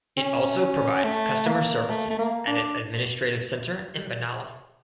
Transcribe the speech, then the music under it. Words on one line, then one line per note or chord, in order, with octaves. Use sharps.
It also provides customer services at its administrative centre in Benalla.
C#4
A3
A#3
A3
A3
A#3
D4